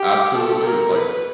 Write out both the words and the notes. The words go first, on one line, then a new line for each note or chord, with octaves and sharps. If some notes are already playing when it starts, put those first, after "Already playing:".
absolutely like
Already playing: G4
A4
A#4
B4